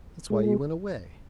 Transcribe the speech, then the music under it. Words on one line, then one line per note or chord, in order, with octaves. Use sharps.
That's why he went away.
G#3